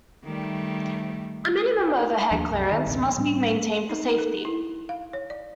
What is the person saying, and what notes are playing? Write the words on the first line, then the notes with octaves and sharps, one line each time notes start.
A minimum overhead clearance must be maintained for safety.
D#3 G3 A3
D#2 F3 A#3 D4
C2 F#2 C3
D#3
A1 D2 B3
A2 G3 C4 D4
D#4
A4
E4
F5
C#5
D5